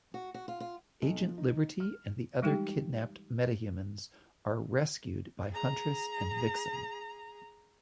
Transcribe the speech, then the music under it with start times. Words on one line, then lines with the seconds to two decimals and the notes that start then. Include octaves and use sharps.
Agent Liberty and the other kidnapped meta-humans are rescued by Huntress and Vixen.
0.14 F#4
0.34 F#4
0.48 F4
0.60 F4
1.02 B1
1.25 F3
1.38 D#4
1.80 F6
2.42 E3 G3 G#3 D#4 G4 G5
5.52 G#4 A#5